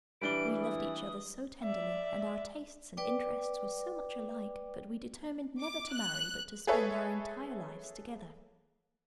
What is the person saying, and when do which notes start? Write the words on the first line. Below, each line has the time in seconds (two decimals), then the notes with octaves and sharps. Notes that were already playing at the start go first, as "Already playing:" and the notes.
We loved each other so tenderly, and our tastes and interests were so much alike that we determined never to marry, but to spend our entire lives together.
0.21 E3 G3 D4 D7 G7
0.62 D#6
1.62 D5 E5
2.97 B4 D5 G5 D6
5.60 D6
5.92 F#6
6.67 G#4 A4 B4 C#5 E5